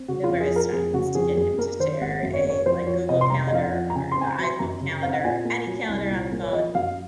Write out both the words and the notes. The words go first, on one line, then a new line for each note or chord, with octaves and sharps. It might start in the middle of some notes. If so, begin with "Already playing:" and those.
numerous times to get him to share a, like, Google Calendar or the iPhone calendar, any calendar on the phone,
Already playing: C4
C#3 F#4
F4
F2
G#4
F3
A#4
F2 G#4
C#3 F#4
F2 G#4
F#2 G#4
A#3 A#4
D#3 C5
G#1 F#5
F#2
C#5
A#3
C#5
F2 C5
F3 C#5
C3 D#5
C6
F#1 A#5
D#5
F2 F5
F#5
F3
A#5
C#3 G#5
C4 C6
G#5
A#5
F#3
C6
F#2 A#5
C#3
C4 F5
F#5
A#2 G#5
A#3
F#3
C2
A#2
A#3
C#5
F3 D#5
F#2 F5